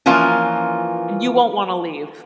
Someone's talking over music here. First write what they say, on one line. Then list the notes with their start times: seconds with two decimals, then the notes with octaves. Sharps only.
you won't wanna leave.
0.06 E3 F3 A#3 C#4 F4